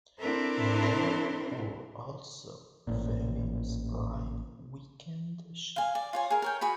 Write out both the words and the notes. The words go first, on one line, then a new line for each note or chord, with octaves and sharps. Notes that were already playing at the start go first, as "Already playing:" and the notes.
There were also various live weekend shows.
C4 D4 E4 A4 A#4 C5
A1 A#2
F5 G#5
D5
F4 C#5 G#5
G#4 A#4
A#4 C#5 G5
F#4 G#4 B5